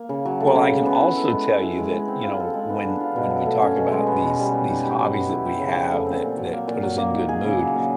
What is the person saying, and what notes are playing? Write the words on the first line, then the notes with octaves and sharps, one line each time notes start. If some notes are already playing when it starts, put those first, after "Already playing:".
Well, I can also tell you that, you know, when when we talk about these these hobbies that we have that that put us in good mood,
Already playing: A#3
C#3
F#3
A3
C#3
G#3
B3
E4
A4
G#3
B3
E4
G#3
G#3
C4
F4
A4
G#3
B3
D4
F4
B2
F#3
A3
C#4
B2
G#3
B3
B2
G3
B3
D#4
G4
F#3
B3
E4
G4
C#3
F3
A3
C4
A#2
F#3
A#3
A#2
F#3
A#3
D#4
G#4
C#3
F#3
A#3